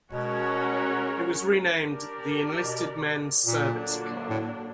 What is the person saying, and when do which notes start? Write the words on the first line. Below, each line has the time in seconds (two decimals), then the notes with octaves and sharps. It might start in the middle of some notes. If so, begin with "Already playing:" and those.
It was renamed "The Enlisted Men's Service Club".
0.12 B2 G#3 C#4 F#4 A#4 C#5
1.80 D4 G4 A#4 D5
2.63 B2
3.46 A#2 D3 F#3 A#3 D4
4.29 A2